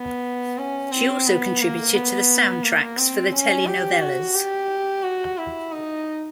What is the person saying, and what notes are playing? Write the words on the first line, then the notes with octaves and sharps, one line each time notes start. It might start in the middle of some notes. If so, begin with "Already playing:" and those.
She also contributed to the soundtracks for the telenovelas.
Already playing: B3
C#4
C4
B3
A#3
B3
A#3
C4
C#4
G4
F#4
G4
F#4
E4
D#4